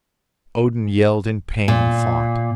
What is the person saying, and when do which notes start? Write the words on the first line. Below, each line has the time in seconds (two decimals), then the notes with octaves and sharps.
Odin yelled in pain and fought.
1.68 A#2